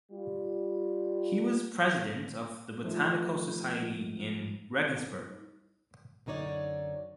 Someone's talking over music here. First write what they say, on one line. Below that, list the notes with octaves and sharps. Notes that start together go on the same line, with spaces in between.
He was president of the botanical society in Regensburg.
G3 F4
F3 G3 A3 D#4
F#2 D3 D#4 C#5 D5